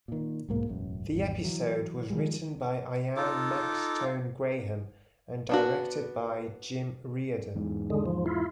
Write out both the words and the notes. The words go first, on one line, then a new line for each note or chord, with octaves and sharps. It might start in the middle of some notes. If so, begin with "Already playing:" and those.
The episode was written by Ian Maxtone-Graham and directed by Jim Reardon.
A#2 D#3
B1 G#2 A#3 B3
E1 A1 F#2
G#1 E2
E3 F#3
D#3 F3 G3 G#3
D#4 F4 A4 D6
B3 D4 F#4
E2 G#2
D3 G#3
F3
E4 F4